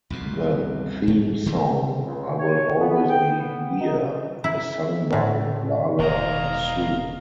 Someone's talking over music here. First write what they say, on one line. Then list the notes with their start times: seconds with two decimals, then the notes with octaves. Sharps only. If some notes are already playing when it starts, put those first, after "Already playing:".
The theme song "I Will Always Be Here" is sung by Lala Hsu.
0.10 C2 F2 B2
1.07 G#2
1.46 D3 A3 A#3
2.05 C#2
2.38 C#5
2.81 B3
3.10 G5
3.39 B3
3.81 D#4
4.44 E4
5.13 A2
5.99 E1 D#3 G#3 F5 A#5